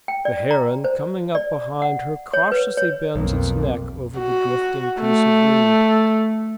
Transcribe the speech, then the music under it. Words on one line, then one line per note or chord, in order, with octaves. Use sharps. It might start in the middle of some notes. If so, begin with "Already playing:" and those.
The heron, coming up behind her, cautiously bends its neck over the drifting piece of reed.
G5
D5
A#5
C5
D5
F#5
C#5
B4
C#5
B1 F2 A#3
F#4
A3